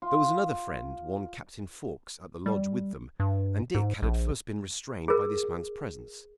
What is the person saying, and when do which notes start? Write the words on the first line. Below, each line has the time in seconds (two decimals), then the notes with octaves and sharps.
There was another friend, one Captain Fawkes, at the Lodge with them, and Dick had at first been restrained by this man's presence.
0.02 F4
2.46 G3
3.20 G2
3.75 G#2
4.02 A#1
5.08 G#4 A#4